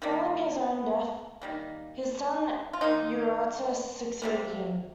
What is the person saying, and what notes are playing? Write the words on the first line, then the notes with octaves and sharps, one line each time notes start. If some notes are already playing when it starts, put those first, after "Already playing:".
Following his own death, his son Eurotas succeeded him.
D#3 G3 A#3
D#3 G3 A#3
F4
D#3 A#3 D#4
C3 G3 A#3